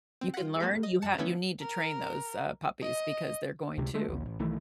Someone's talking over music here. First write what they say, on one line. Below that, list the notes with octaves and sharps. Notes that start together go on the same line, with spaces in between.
You can learn? You ha you need to train those, uh, puppies because they're going to
C4
F4 F#5
G3 G#3 A#3
D#5
F#2 A5 C#7
D3 E3 A3 B3 C#4 E4
A#4
D#5
C#2 C3
G#3 A3
A#1 D#2
A1
B1 D#3 E3 A3